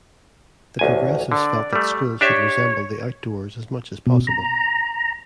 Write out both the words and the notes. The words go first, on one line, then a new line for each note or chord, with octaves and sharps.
The Progressives felt that schools should resemble the outdoors as much as possible.
A1 D2 G#5
D3 D5
G3 A3
D4 G4 C#5 E5
B2
A#5